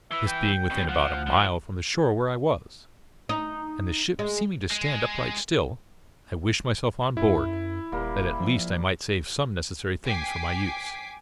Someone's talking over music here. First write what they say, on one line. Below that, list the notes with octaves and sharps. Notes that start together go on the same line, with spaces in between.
This being within about a mile from the shore where I was, and the ship seeming to stand upright still, I wished myself on board, that at least I might save some necessary things for my use.
E3 E4 E5
G5
B2 C#4
F3 F#5
F3
D#4
G#3
G#3
F#2 E4
D#1 G3 A#3
F3
G5 G#5 D6 B6 C7